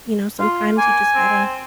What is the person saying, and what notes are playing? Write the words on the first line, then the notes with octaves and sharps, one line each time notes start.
you know, sometimes you just gotta
F4
A#3 G#5
C4